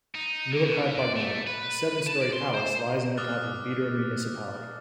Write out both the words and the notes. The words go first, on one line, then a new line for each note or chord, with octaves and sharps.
Nuwakot, Bagmati : A seven storey palace lies on the top of Bidur Municipality.
D#4
D3
B2
D5
A3
B4
A5
D5
C6
C5
D6 D#6 F6 F#6 A6